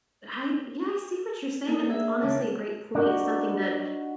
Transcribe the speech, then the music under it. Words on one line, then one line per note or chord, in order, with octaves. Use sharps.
I yeah, I see what you're saying, and that's honestly a great point, it's something that
A#3 D4 A4
G#4 E5
D#2 C#3 G#3 A#3 A5
D4 D#4 F#4